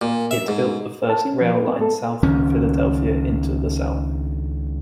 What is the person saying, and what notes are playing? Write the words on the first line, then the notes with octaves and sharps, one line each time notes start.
It built the first rail line south from Philadelphia into The South.
A#2
E5
G#2
A5
C#4
F3
B4
B3
A4
C#2 D#3 C#4